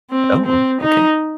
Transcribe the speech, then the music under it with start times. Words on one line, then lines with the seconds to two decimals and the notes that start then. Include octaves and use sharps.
Oh, okay.
0.11 C4
0.46 C4
0.81 D#4